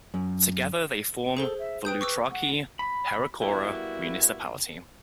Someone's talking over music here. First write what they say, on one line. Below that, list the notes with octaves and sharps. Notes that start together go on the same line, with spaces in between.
Together they form the Loutraki-Perachora Municipality.
F#2
G#4 A4 C5 G7
E5
B4 G5 D#6 G6
C#6 D6 E6
F#5
B5
G3 A#3 B3 E4 F#4